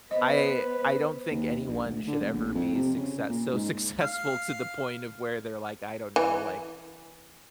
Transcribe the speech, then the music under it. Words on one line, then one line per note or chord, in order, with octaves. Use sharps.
I I don't think anyone should ever be a success so successful to the point of where they're like, I don't know, like,
B3 B4 C5 D#5
D#2
A#1
D2
D3
F1
A#1
F2
C3
C#3
A#2
G#2
F5
E3